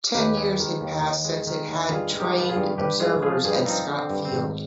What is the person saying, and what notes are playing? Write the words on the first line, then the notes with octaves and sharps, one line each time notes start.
Ten years had passed since it had trained observers at Scott Field.
D#2 G4 B4
G#3
D#3
D#2
D#2
G#3
D#3
D#2
G2 F4 G#4
G#3
D#4 G4
F3
B4
F4 G#4
G2
G2 G4 B4
G#3 F4 G#4
F3 F4 G#4
G2 G#4 C5
F3 C4 D#4
D3
C4
G2
C4
G#1